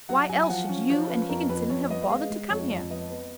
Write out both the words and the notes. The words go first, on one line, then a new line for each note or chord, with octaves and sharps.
'Why else should you and Higginson have bothered to come here?'
F#3 F#5
F#3 G#5
G#5
F3 F#5
C#4
F3 C#5
C#4 B4
F2 A#4
F2 B4
F2 C#5
B3 D#5
D#5
G#3 F5
G#3
F2 C#5
F2
B3 D#5
B3